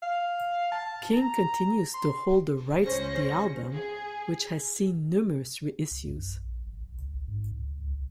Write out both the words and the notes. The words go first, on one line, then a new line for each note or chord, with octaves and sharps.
King continues to hold the rights to the album which has seen numerous reissues.
F5
A5
A#5
C6
C#2 C#4 C5 A#6 C#7
G#4
C2
F#2
A#1
G#1
B1
C#2
A1
G#2
C#2
C#2
B1